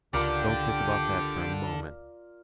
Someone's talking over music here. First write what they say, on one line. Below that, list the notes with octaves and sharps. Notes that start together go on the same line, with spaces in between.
Don't think about that for a moment.
C#2 D3 F4 G4 A#4 D5 G5 D6